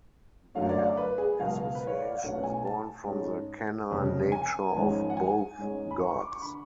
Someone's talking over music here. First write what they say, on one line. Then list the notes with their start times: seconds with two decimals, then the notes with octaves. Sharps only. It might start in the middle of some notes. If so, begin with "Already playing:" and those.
Their association is born from the canine nature of both gods.
0.55 F#2 D3 F#3 A3 C#4 F5
0.69 D5
0.78 F5
0.83 D5
0.97 B4
1.18 G#4
1.39 C#2 B2 F#3 F5
1.75 B4
1.87 C#5
1.99 D5
2.10 F5
2.22 B1 B2 A3 C#4 F#5
2.44 G#5
2.65 A5
3.07 G#2 G#3 C#4
3.91 F1 F2 C#3
4.32 G#5
4.74 G#1 G#2 F3 G#3 C#4
5.10 F#5
5.17 G#5
5.58 G#2 G#3 C#4
5.91 B5
6.00 C#6
6.11 C#6
6.21 D6
6.32 C#6
6.42 D3 B5